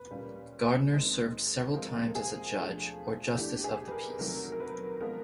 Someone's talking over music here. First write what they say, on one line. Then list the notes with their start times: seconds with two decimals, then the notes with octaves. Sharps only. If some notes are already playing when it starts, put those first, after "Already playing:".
Gardner served several times as a judge, or justice of the peace.
Already playing: B4
0.11 A#2 G3 A#3 C#4
0.93 D#3 G#3 C4
1.74 F3 G#3 C4 A#4
2.15 G#4
2.56 F3 A3 D4
3.37 E3 A3 D4 G4
3.64 G#4
3.87 B4
3.92 A#4
4.19 C3 D#3 F#3 A3 A#4
4.52 A#4
4.60 B4
5.01 F3 G#3 B3 A#4